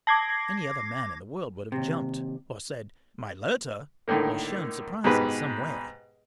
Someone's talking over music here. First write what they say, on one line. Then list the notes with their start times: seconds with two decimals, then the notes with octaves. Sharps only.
Any other man in the world would have jumped, or said, "My letter!!!" or shown surprise in some way.
0.07 A5 D6 G#6 A#6 C7
0.30 C7
1.72 D#2 C3
4.08 A2 D3 D#3 A#3
5.04 G#2 B2 G4 G#4 B4